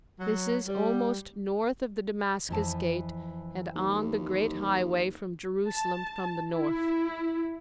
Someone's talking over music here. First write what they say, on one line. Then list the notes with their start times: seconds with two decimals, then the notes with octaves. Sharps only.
This is almost north of the Damascus gate and on the great highway from Jerusalem from the north.
0.20 F#3
0.67 G3
2.49 F2 E3 A5
3.75 D#2
5.69 A5
6.53 E4